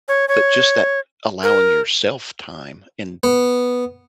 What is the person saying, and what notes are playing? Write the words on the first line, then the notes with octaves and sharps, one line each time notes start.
but, just that allowing yourself time, and
C#5
C#5
A#4
B3